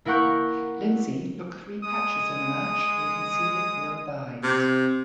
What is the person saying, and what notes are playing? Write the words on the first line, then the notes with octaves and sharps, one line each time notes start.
Lindsay took three catches in the match and conceded no byes.
A#3 E4 A#4 F#5 C#6 G6
G#3 D#6
C3